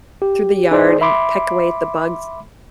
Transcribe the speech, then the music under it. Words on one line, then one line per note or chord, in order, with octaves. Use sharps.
through the yard and peck away at the bugs
G4
D#4 G#4 C5 D5 C6
E5 B5 C6 D6